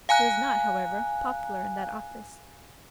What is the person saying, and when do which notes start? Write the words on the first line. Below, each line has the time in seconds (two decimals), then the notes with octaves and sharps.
He was not, however, popular in that office.
0.09 F5 G#5 A#5 F#6